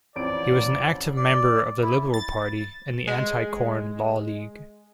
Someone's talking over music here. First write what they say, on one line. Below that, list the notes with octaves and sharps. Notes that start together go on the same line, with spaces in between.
He was an active member of the Liberal Party and the Anti-Corn Law League.
A1 F2 D5 D7
D5
E4
A6
G#3